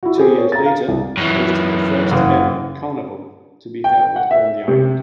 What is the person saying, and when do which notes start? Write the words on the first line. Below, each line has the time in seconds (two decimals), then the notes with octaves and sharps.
Two years later, it hosted the first-ever carnival to be held on the island.
0.03 E4 F#4
0.17 G4 G#4 C5
0.38 C#5
0.52 A#5 A6
0.66 F5
0.88 C2
1.17 F#2 E3
2.11 F#1
3.84 G5
4.16 F#5
4.31 E5
4.68 C3